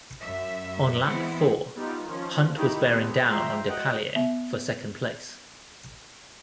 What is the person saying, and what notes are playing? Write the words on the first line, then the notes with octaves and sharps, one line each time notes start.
On lap four, Hunt was bearing down on Depailler for second place.
F#2 E5
E3 G#3 B3 C4 E4
G3 B3 D#4 F4
D#3 F3 C#4 F4
D#3 D#4 E4 G4 B5
B3 C4 G4 A4
F3 G#3 E5 G5 A#5 C6
F#4 D#5 F#5 G5
B3 E5